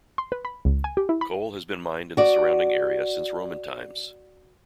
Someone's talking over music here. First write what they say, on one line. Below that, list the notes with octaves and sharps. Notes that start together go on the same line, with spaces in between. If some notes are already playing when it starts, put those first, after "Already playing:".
Coal has been mined in the surrounding area since Roman times.
C6
B4
B5
C#2
G#5
G4
E4
B5
F#4 D5